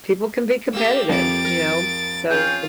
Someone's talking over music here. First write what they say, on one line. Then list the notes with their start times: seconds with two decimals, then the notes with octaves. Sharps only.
people can be competitive, you know, so,
0.73 A3 A#3 G4 E6
1.09 F2 A6 D7
1.45 A#4
2.30 C#4 F4 G#4 G5